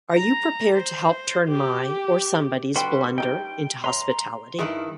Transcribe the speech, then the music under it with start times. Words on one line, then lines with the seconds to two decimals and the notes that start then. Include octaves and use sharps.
Are you prepared to help turn my, or somebody's, blunder into hospitality?
0.13 A#5
0.75 C5
1.48 G4
2.76 D3 G3 F#4 B4 G5 C6
3.18 D#4 F4 G4 G5
3.84 B4 C#5 E5 A#5 C6
4.59 G2 D#3 E4 G#4 B4